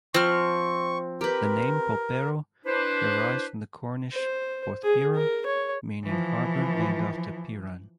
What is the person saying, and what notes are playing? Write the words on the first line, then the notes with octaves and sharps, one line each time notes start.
The name Polperro derives from the Cornish "Porthpyra", meaning "harbour named after Pyran".
F3 C4 C#6 F6
G4 A#4 B4
D4 E4 B4 C5
C5
G#4
A#4
C#5
E3 F3